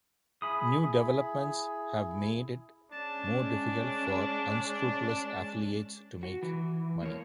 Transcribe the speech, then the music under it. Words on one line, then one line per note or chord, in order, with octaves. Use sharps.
New developments have made it more difficult for unscrupulous affiliates to make money.
E4 G#4 B5 D#6
G#3 C#4 D4 A5
F#4
E3
A#3 C#5